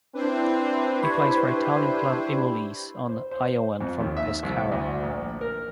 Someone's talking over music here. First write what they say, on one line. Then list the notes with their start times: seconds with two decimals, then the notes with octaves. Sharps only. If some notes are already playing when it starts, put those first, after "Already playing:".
He plays for Italian club Imolese on loan from Pescara.
0.15 C4 D4 E4 B4 C5
1.03 G4 B5 C#6 G#6
3.09 C5
3.31 C5
3.81 F2
4.00 D#2
4.17 E5
4.43 C2
4.72 D2
5.03 A#1
5.41 A#4